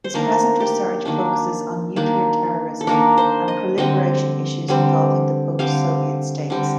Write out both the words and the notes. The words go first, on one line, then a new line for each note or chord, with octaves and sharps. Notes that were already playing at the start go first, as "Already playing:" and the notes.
His present research focuses on nuclear terrorism and proliferation issues involving the post-Soviet states.
C5
D#3 A#3 D4 A#4
G4
D#3 A#3 D4
D#3 A#3 D4
A4
D#3 A#3 D4 A#4
C5
D#5
D3 G3 C4 D#5
D3 G3 C4
D3 G3 C4 F5
D3 G3 C4